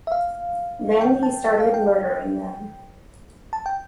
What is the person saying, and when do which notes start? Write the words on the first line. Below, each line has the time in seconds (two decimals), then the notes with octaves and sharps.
Then he started murdering them.
0.07 E5
0.12 F5
1.01 G5
1.23 A5
1.45 G5
1.60 F5
1.74 G5
3.53 A5
3.66 G5